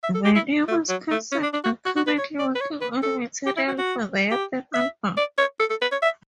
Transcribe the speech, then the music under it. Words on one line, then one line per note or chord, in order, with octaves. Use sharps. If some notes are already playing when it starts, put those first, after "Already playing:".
Venomous Concept are currently working on material for their third album.
E5
A4
G4
E4
A3
F#3
A3
C#4
D4
D4
F#4
F#4
F#4
B4
C#5
D5
B4
C#5
B4
A4
G4
E4
F#4
F#4
G4
E5
D5
C#5
A4
A4
B4
C#5
E5